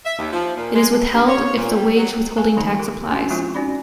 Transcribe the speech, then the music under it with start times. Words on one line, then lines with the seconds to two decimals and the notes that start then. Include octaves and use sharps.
It is withheld if the wage withholding tax applies.
0.05 E5
0.19 D#2
0.33 F3
0.57 A#2
0.75 G#3
0.91 D3
1.13 G2
1.28 C#5
1.56 A#2
1.76 G3
1.97 F#3
2.37 A#4 F5 G#5 A5
2.57 D3 E3 G3 D#4 F#5 A#5
2.79 G4 A#4
3.11 C#4 D4 F#4 G4 B5 C6
3.30 F3 G#3 B3 C4 E4 F4
3.54 C#4 D#4 F#4 D5 B5